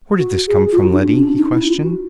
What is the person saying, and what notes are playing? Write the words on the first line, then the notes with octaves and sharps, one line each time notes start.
"Where did this come from, Letty?" he questioned.
F#4
G#4
F4
F#4
D4
D4
C#4
D4
D#4
E4
F4
F#4